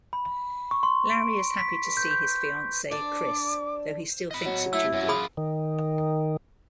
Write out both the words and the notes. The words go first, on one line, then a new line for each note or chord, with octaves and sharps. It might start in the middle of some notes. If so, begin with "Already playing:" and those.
Larry is happy to see his fiancee, Chris, though he still thinks of Judy.
B5
C#6
C6
D7
B6
G6
G6
D4 D5 D6
D#5 B5
F#3
A3 E4 E6
F#2 F#3
F#2 F4 G#4 B5 D#6
D#3